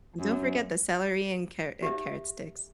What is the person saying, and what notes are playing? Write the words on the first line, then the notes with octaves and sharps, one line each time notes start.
And don't forget the celery and car uh, carrot sticks.
F#2
G4 E5